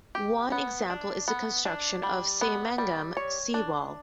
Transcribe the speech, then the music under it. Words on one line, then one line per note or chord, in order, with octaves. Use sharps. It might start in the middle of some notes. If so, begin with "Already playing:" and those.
One example is the construction of Saemangeum Seawall.
G4
B3
D4
B3
D4
G3
B3
G3
C#5
D4